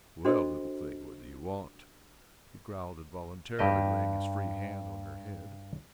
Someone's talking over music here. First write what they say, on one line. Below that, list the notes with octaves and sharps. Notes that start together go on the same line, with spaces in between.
"Well, little thing, what do you want?" he growled, involuntarily laying his free hand on her head.
D4 F#4 A4 C5 D#5
G2 G4 D#5